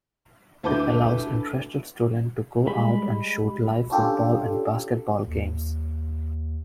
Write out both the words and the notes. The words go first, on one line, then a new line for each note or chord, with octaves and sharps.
It allows interested student to go out and shoot live football and basketball games.
D2 E4 A4 B4 D6 G6
G3 G#3 B5
C#4 D4 F4 G4 A4
D#2